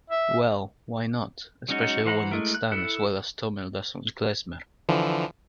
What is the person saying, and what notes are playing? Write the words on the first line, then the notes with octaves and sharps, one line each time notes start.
Well, why not, especially when it's done as well as Tummel does on Klezmer.
E5
F#3 G#3 C#4 D#4 F#4
E3 C5 F#5 A#5 B5
G#3 A3 E4 A#4
F#6
E4 A4 F#6
D3 E3 F3